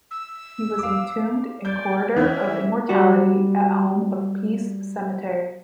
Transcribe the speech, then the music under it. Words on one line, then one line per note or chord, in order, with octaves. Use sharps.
He was entombed in Corridor of Immortality at Home of Peace Cemetery.
E6
F5 D6
D5 G6
E3 C#4 E5
G3 F#4